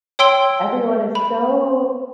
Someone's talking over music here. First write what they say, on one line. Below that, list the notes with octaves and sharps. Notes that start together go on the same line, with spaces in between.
everyone is so,
C#5 G5 C6 E6 D7 G7
B5